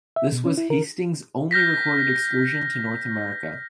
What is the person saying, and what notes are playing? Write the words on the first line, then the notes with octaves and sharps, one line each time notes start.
This was Hastings’ only recorded excursion to North America.
E5
B2
C#4
E4
A#4
F6 G6 A#6 B6